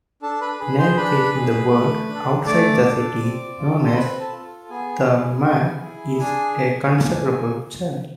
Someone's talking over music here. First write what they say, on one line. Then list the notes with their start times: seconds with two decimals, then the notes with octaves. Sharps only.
Navigating the world outside the city, known as the Mire, is a considerable challenge.
0.22 D4 A4 A5
0.41 B4 B5
0.59 G#4 B4 B5
0.78 C5 C6
0.97 D4 B4 B5
1.35 G#4
1.72 A3
2.09 D4
2.14 A4
2.46 A3 D5 D6
2.84 D4 A4
3.21 C4
3.58 F4 A4
3.85 C6
3.95 C4 B4 B5
4.20 A4 A5
4.32 F4 A4
4.70 B3 G#4 G#5
5.07 E4 G#4
5.45 B3
5.82 E4 G#4
6.19 D4 G#4 G#5
6.56 G#4
6.94 D4